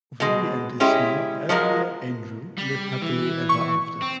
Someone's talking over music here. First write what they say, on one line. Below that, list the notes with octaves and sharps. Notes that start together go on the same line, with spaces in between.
Willie and his now Earthier angel live happily ever after.
B2 G#3
G#3 C#4 E4 G4
F3 F#3 G#3 A#4
G3
E3
C#6
C4